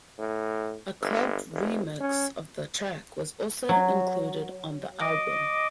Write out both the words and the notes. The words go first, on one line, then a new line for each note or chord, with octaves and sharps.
A club remix of the track was also included on the album.
A2
G1
F1
C#4
F#3
D#5 D6